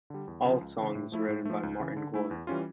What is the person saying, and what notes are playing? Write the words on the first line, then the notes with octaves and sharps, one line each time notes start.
All songs written by Martin Gore.
D3 G3
E2
C#3 F3
C#2
C#3 E3
A2
F3 A3 E4
A2
F3 A3
C#2
C#3 E3
D3
A3 E4
E2
E3 G3 C#4 F4